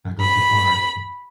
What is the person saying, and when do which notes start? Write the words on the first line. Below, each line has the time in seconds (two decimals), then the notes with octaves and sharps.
not go too far. Yeah.
0.21 B5